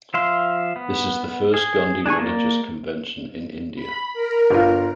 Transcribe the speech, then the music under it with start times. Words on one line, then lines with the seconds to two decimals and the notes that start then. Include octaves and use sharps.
This is the first Gondi religious convention in India.
0.14 F3 E5 F5 C6
0.76 B3
1.54 G#4
2.06 D4 G#4 G#5 C#6
2.19 A#3 D5
3.75 B5
4.13 A#4
4.50 G1 F4